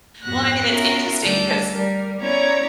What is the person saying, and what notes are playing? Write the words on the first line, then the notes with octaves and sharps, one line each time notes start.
Well, I mean, it's interesting because,
F2 G#2 B3 F#4 F#6 A#6
B3 C#4 F4 F#4 A#4 E5
D2 G3 D4 A4 G6
G3 A#4
B3 C#4 E4 C#5 D5 A#5